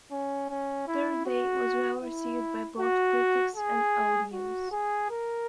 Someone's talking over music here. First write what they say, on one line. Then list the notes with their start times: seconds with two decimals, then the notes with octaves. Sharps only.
"Third Day" was well received by both critics and audience.
0.11 C#4
0.49 C#4
0.88 E4
1.26 F#4
2.03 E4
2.79 F#4
3.56 G#4
4.33 F#4
4.72 G#4
5.10 A#4